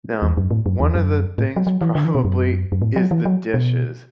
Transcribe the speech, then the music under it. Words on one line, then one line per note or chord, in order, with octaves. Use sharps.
n um, one of the things probably is the dishes,
E2
F#2
A2
F#2
E2
F#2
A2
F#3
F#3
E3
D3
E3
B2
F#2
F#2
A2
F#3
E3
F#3
B2